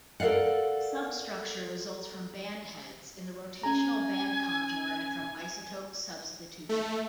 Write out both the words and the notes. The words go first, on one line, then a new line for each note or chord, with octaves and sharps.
Substructure results from band heads in the rotational band contour and from isotope substitution.
A4 A#4 D5 F5 F#5
C#4 G#5 A#5
A3